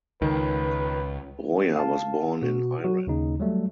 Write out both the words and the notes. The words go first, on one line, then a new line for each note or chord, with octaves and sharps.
Roya was born in Iran.
C#2 D#3 B4
F5 A5
B2 F#4
F#3 F#4
D#2 C#3 D#4
F#3 G3 A3